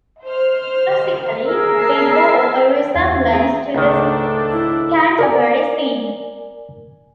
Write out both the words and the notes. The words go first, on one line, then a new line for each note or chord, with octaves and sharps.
Musically, they bore a resemblance to the Canterbury scene.
C5 F6
G#4 A#4 E6
E5 A5 C7
E2 E5 G#5
C4 G#4 A#5
C#2 G#2 D#3 A3 D4 A4
E4
A#4 D5 G#5